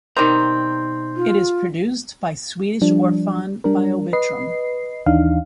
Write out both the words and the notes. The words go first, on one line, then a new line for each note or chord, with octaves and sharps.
It is produced by Swedish Orphan Biovitrum.
B2 D#3 G3 C4 D#4 A#5 C6 G6
F4
F3 G3 D4
G3 D4 A#4
B4 D#5 C7
D#2 E3 D4 D#4 F5